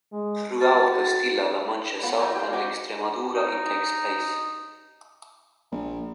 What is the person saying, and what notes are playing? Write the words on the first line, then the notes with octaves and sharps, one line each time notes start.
Throughout Castilla-La Mancha South and Extremadura it takes place.
G#3
F#4 A6
B3 F4 B5
F#3 G3 D#4 E4
G4 C5 C#5 F5
G#3 C4 F#4 G4 C5
D#4
A#1